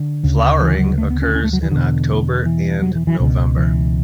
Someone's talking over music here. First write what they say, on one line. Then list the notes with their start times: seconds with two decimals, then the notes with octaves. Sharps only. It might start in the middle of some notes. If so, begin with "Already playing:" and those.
Flowering occurs in October and November.
Already playing: D3
0.23 D2 C#3
0.61 E3
0.79 F#3
0.98 A3
1.10 B3
1.22 C#4
1.35 C#4
1.44 A3
1.53 F#3
1.63 E3
1.71 E2 B2 D3
2.46 E3
2.82 F#3
2.95 E3
3.07 E3
3.20 C#2 B2 D3
3.57 E3